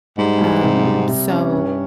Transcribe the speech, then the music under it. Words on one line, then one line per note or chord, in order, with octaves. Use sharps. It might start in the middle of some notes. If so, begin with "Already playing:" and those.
um, so,
G#2 G3
G3
C3
C3
C3
C#4
G2 C#4